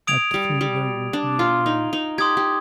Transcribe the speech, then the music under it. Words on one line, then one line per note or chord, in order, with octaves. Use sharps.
At three there would be a mail.
D#6 G#6 D7 F7
G3
G3
D4
F4
D#4
D#4
G4 C6 D#6 G#6
G4